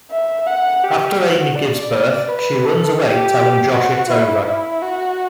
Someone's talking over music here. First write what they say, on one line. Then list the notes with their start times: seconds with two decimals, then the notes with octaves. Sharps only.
After Amy gives birth she runs away telling Josh its over.
0.11 E5
0.47 F#5
0.84 G4
1.20 F#4
1.56 D5
2.28 B4
2.65 A4
3.01 G4
3.73 F#4
4.10 E4
4.46 E4
4.82 F#4